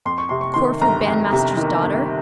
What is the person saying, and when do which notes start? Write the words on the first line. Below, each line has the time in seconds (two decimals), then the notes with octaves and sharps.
A Corfu bandmaster's daughter!
0.05 F2 C6
0.18 C#6
0.29 C3 C6
0.41 C#6
0.54 D#3 C6
0.81 G1 A#5
1.07 F2
1.32 C3
1.57 D#3
1.83 G1